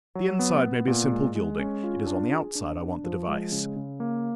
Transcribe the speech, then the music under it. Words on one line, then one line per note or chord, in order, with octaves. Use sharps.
The inside may be simple gilding: it is on the outside I want the device.
F#3
B3
B3
A#2
G#3
G#3
C#4
F4
D4
G#4
D4
D4
F3
G#3
C#3
C#3
A#3